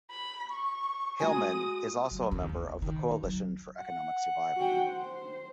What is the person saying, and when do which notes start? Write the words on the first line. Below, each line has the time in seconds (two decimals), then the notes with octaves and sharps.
Heilman is also a member of the Coalition for Economic Survival.
0.11 B5
0.51 C#6
1.20 G#3 F#4 G#5 D#6
2.11 F#3
2.31 D#2
2.49 G1
2.82 D#3
3.24 F#3
3.79 F#5
4.57 F#4 G5
4.90 C5